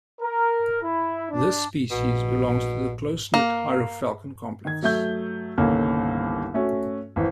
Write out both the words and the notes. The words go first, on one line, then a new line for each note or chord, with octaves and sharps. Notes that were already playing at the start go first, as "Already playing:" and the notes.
This species belongs to the close-knit hierofalcon complex.
A#4
E4
D4
A#1 B2
A#3
D#3 G#6
F#3 A3 G6
G1 C2 D#3 A#3 C#4 A4
A3 C#4 F#4
G#1 E3